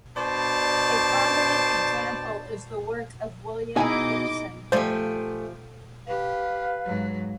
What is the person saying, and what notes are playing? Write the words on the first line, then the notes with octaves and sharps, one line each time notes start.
A prominent example is the work of William Gibson.
B2 D4 C5 D5 A5
B2 D#4 E4 G#4 D#5 G#5 D6
F3 A3 G4 C5 D5 G#5
G4 B4 F5
G#2 F#3